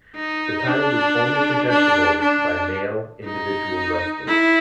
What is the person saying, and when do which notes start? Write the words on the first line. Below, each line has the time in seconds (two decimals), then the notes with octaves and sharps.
The title was only contestable by male individual wrestlers.
0.16 D#4
0.68 D4
1.70 D4
2.22 D4
3.25 D#4
4.27 E4